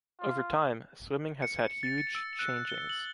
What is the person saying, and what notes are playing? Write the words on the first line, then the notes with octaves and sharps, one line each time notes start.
Over time swimming has had huge changings.
F4
C#7
A6
C#7
E6
F#6
G7
F#7